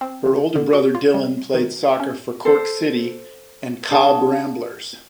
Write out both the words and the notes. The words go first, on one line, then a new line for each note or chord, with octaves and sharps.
Her older brother Dylan played soccer for Cork City and Cobh Ramblers.
C4
C#3
D3
F#4
F4
G3
D#3
C#4
A4 C5
D4 G#4 F#5 A5